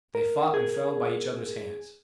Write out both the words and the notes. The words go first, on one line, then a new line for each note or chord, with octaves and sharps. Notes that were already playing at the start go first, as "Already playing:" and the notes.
They fought and fell by each other's hands.
A#4
G#4